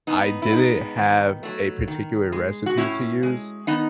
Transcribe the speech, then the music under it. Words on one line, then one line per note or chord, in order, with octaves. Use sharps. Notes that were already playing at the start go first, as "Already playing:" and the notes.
I didn't have a particular recipe to use
A2 B3 D#4
E4
G#3 B3 D#4
D#3
F#3 A3
D#3
G#3
F#4
A2 C#4 E4
G#3
D#3 B3 D#4